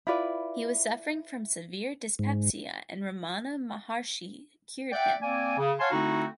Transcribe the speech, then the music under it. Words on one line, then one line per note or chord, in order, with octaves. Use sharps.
He was suffering from severe dyspepsia and Ramana Maharshi cured him.
E4 F4 B4 D5
G#2
D5 E5 F#5 G5
A#3 C4 D5 G#5
C#3
C#5 F5 F#5 G#5 A5 C6
D3 A3 C4 D#4 E4 F#4